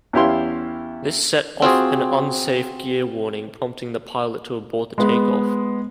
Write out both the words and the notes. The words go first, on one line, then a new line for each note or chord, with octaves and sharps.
This set off an "unsafe gear" warning, prompting the pilot to abort the takeoff.
E2 C#4 E4 G4 F5 C6
C4 F4 F#4 G#4
G#3 B3